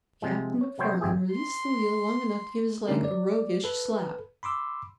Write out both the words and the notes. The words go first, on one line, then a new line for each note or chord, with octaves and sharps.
Captain MacFarland released the wheel long enough to give his leg a roguish slap.
C3 F3 G#3
C#5
C3 F#3 G3 C4 C5 C#5
G#1 C4 G4 G#4 E5
C6
D3 G3 A3 C#4 D#4 A#4
D5
A4 B4
B5 C6 D6 E6